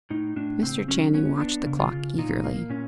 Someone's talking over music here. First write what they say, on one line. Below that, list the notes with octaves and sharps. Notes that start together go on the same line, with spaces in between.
Mr. Channing watched the clock eagerly.
A2 D#4
A2 D4
C#3 C4
F#3 C#4
B3 C#4
B3 D4
C#3
F4
C#3
A#2 D#4
A#3
A#2 C#4